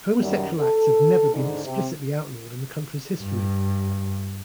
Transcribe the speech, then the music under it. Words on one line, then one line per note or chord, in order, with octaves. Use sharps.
Homosexual acts have never been explicitly outlawed in the country's history.
F#2 D#3 G3
A4
G#2 D3
C3
G2